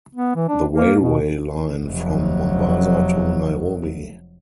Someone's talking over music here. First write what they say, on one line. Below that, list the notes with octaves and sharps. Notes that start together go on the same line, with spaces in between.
The railway line from Mombasa to Nairobi.
B3
E3
D4
A#3
B2
F1 F#3